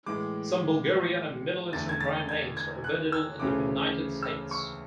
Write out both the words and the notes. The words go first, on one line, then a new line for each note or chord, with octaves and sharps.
Some Bulgarian and Middle Eastern brand-names are available in the United States.
A2 E3 G#3 D6
E2 D3 A3 A6
G#6
A6
G#6
G#6
F#6
E6
D2 C#3 E3 A3 C#4 D6
E6
C#6